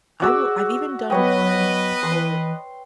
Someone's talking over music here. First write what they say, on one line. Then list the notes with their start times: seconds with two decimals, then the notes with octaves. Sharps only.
I will I've even done one, or
0.22 F#4 G#4 D5 E6
1.10 F#3 B3 B4 C#5 D#5 G5
2.03 E3 C6